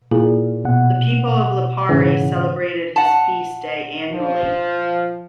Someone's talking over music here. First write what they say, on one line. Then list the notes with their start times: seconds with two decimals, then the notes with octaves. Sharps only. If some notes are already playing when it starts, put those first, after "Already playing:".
The people of Lipari celebrated his feast day annually.
0.11 A#2 D#4 E4 G#4
0.65 B2 F#5
1.89 G#2 C#3 E3
2.96 F#5 A5
4.12 F3